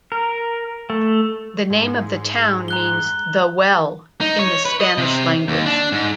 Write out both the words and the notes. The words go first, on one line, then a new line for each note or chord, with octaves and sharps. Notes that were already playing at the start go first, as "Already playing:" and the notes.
The name of the town means "The Well" in the Spanish language.
A#4
A3
G#2
A#5 F#6 G7
D#4
C#5
B4
D#5
C3
D#2
D4
G#2